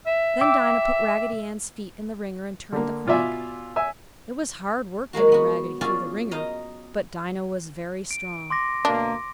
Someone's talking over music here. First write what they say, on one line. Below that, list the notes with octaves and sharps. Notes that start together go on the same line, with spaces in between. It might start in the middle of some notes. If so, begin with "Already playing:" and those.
Then Dinah put Raggedy Ann's feet in the wringer and turned the crank. It was hard work getting Raggedy through the wringer, but Dinah was very strong.
E5
G5 D6 E6
D3 A#3
B2 F4 D5 E5 G#5
E5 G#5 E6
F#3 G#3 A#3 F#4
B3 F#4
C#4 F4 F#4 G#4 D5
D#5 F5 A#5
D7
C6 D6 A#6
D2 B2 A#3 D4